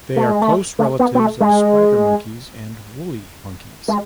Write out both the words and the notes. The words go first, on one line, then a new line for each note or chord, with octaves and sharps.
They are close relatives of spider monkeys and woolly monkeys.
A3
G#3
A3
A3
B3
B3
A3
G#3
G#3